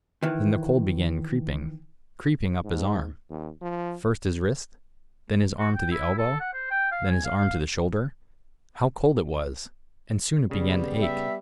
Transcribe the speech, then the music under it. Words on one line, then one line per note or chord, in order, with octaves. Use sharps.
Then the cold began creeping, creeping, up his arm; first his wrist, then his arm to the elbow, then his arm to the shoulder; how cold it was! And soon it began to ache.
D#3 E3
G#2
D#2
F3
F#4
G5
E4
A4
F#5
C5
G5
F5
G#5
F5
F5
C#3 G3 B3
E5